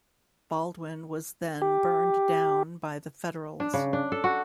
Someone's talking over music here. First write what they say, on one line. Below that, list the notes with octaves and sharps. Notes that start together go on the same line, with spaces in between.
Baldwin was then burned down by the Federals.
G4
D4
C#3
D4
A4
F#4